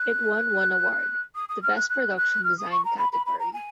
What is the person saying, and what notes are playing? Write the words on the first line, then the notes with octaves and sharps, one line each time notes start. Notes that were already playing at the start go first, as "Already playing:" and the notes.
It won one award - the Best Production Design category.
Already playing: F#6
D#6
D#6
F6
F#6
F#6
F#6
F6
D#6
C#6
A#5
B5
B5
B5
A#5
G#5